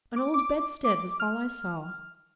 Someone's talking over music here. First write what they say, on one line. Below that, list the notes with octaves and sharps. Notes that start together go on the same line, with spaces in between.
An old bedstead was all I saw.
D6
D6
D6
F6